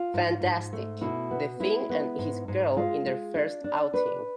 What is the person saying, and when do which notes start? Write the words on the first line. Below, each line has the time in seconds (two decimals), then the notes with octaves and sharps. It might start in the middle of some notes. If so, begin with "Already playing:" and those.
Fantastic, the Thing and his girl in their first outing.
Already playing: F4
0.14 G#2
0.43 G#2
0.73 A3
1.01 B2 E4
1.31 B3
1.60 G#3 E4
1.90 B3
2.19 G#2
2.48 G#2
2.77 G#3 F4
3.06 G#3
3.35 D4
3.64 D4
3.93 D4 B4